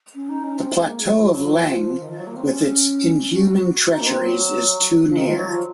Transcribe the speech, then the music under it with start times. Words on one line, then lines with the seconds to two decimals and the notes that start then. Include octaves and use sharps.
The plateau of Leng with its inhuman treacheries is too near.
0.15 C#4
0.29 D#4
0.44 C#4
0.58 C4
0.73 G#3
0.86 A#3
1.01 G#3
1.11 F#3
1.20 F3
1.30 F#3
1.44 F3
1.59 F3
2.00 D#3
2.09 F3
2.17 F#3
2.27 A#3
2.36 C4
2.47 C#4
3.34 F#4
3.92 D#4
4.01 A#3
4.07 C4
4.21 F#3
5.08 F3
5.17 D#3
5.26 F3
5.36 F#3
5.48 F3